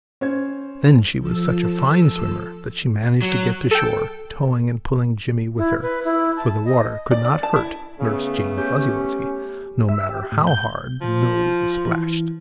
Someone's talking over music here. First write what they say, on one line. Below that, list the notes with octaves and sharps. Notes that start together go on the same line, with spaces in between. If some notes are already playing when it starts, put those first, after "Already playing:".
Then she was such a fine swimmer that she managed to get to shore, towing and pulling Jimmie with her, for the water could not hurt Nurse Jane Fuzzy-Wuzzy, no matter how hard the millwheel splashed.
C#4 C5 G#6
F3 A4 E6
F#3
A4 G5
E4
B4
E4
A5
D#5
D5
D5
A5
E4
C#3 A3 B3
C#4 G4
E5
G4
A2
G6
F3
E3